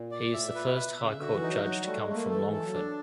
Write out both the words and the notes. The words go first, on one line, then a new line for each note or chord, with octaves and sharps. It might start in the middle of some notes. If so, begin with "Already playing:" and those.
He is the first High Court judge to come from Longford.
Already playing: A#2
D5
A2 E5
A#2 B4
B2
E5
C#3 E5
D3
F#4
E3
D#4
F#3
F#3 F#4
G3
A3
G#3
A3
A#3
E3 A4
E3
A4
F#3
D4